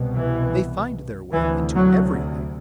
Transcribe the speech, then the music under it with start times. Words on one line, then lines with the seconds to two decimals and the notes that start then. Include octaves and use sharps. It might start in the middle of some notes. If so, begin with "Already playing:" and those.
They find their way into everything.
Already playing: C2 B2
0.16 E3
1.32 D2 C3 E3
1.76 F#3